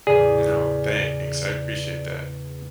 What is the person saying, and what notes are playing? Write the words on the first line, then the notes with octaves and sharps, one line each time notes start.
No, thanks, I appreciate that.
E2 A2 C#3 G#4 D5